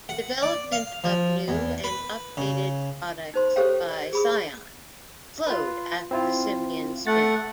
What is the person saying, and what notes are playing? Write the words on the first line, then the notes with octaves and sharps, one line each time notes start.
The development of new and updated products by Psion slowed after the Symbian spin-off.
F#5
D5
F5
F3
E2
B4
C#3
D#4 C5 C6
G4 A4 C5 C#5 F5 G5
D5
G#4 B5 D#6
F4 B4
C4 E4 F4
A3 F#5 A6